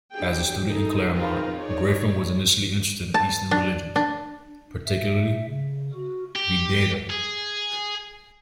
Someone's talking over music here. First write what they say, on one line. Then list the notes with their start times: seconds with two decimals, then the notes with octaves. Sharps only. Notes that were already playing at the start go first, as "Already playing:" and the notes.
As a student in Claremont, Griffin was initially interested in Eastern religions, particularly Vedanta.
0.12 F#3 D4 G4 G#4 G5
0.67 D#4 G#4 A4
1.13 C4 D#4 F4 G#4 A#4 B4
1.57 D#4 G#4 C#5 D5
3.14 A5
3.51 D4
3.96 D4
4.86 E5
5.46 C#3
5.94 F#4
6.35 G4
7.10 G#4